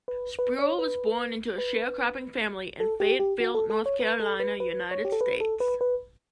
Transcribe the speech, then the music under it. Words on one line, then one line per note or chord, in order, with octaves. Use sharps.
Spruill was born into a sharecropping family in Fayetteville, North Carolina, United States.
B4
B4
C#5
B4
B4
A4
G4
G4
F#4
A4
A4
C#5
B4
A4
B4
B4
C#5
G4
A4
B4
A4
B4
B4